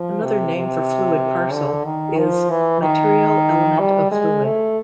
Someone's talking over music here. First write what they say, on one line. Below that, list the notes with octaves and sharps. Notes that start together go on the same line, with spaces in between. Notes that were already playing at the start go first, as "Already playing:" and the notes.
Another name for fluid parcel is material element of fluid.
Already playing: F3
C3
C3
D3
D#3
F3
E3
D#3
G3
G#3
A3